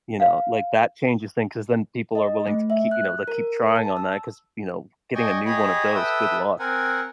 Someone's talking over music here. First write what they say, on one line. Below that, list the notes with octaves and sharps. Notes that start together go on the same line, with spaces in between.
You know? Like, that changes things 'cause then people are willing to kee you know, they keep trying on that 'cause, you know, getting a new one of those Good luck,
F5
D#5
A3
E5
F#6
A#4
A5
E6
D5 D#5 G5 G#5 C#6
G4 G#4 C#5 D#5 B5
A4 B4 E5 G5 D#6 E6
C4 A#4 F#5 G#5